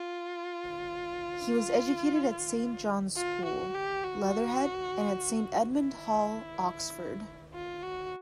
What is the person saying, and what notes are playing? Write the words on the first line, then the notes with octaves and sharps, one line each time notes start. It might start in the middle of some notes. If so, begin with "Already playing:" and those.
He was educated at Saint John's School, Leatherhead, and at Saint Edmund Hall, Oxford.
Already playing: F4
F4
F#4
G4
F#4
E4
F4
F#4